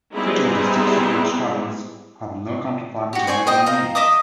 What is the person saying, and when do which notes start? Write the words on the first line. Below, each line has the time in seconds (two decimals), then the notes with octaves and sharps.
Fleet Logistics Support squadrons have no counterpart in the Regular Navy.
0.13 G3 B3 C4 D#4 E4 G#4
3.13 F#4 G4
3.27 C5 D5 G#5 C#6
3.47 C5 D#5 G5 D#6
3.66 D#5 F5 A#5
3.95 D#5 E5 D6 D#6